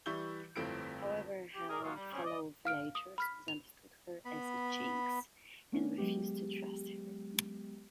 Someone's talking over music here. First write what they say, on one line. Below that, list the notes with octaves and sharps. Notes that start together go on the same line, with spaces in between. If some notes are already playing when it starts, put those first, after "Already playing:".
However, her fellow villagers misunderstood her as a jinx and refused to trust her.
E3 G3 E4 C#6 G6 G7
G1 F2 A3 C4 E4 D7
G4
G#4 A#4 D5
F#3 G#3 A#3 F4 F#4
G3
D#3 G3 A3 C4 C#4
D5 D#5
F5 F6 D7
D#6
B5 F6 B6
F7
B3 B5
A3 B3 C#4 D4
F#3 G#3 B3 G4